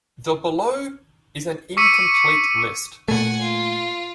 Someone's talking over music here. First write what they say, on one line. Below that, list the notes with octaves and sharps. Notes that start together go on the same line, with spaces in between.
The below is an incomplete list.
C#6 D6 E6 B6 C#7 D#7
A#2 A3 F#5 G#5
F4